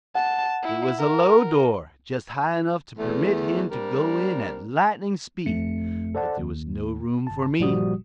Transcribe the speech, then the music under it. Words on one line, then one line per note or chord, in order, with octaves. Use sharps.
It was a low door, just high enough to permit him to go in at lightning speed, but there was no room for me.
F#5 A5
E4
A#4
E2 A3
G3 A#3 C4 D4 A#4
G1 F2 A3 C#7
A4 C5 D5 F#5 A5
D#2
G1 A5
G1 A#2 F3 G3 F#4 D#6